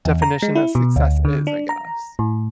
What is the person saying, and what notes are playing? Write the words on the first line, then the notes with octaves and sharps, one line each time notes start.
definition of success is, I guess.
E2
A#5
G#3
E4
B2
D2
D3
D4
A#5
A2